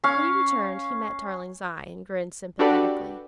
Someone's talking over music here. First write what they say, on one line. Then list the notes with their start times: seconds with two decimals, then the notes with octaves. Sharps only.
When he returned, he met Tarling's eye and grinned sympathetically.
0.04 C#4 F5
2.59 D4 F#4 G4 A4 B4 D5